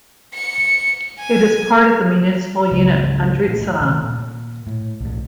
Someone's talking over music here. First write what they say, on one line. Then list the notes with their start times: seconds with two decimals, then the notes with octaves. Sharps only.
It is part of the municipal unit Andritsaina.
0.34 C#7
1.19 G#5
2.72 G#1 C#2 C#3 G#3
3.48 A#2 F3 G#3 A3
3.80 D#1 C3 D#3 A3
4.04 A#2
4.67 A2
5.01 B1 A2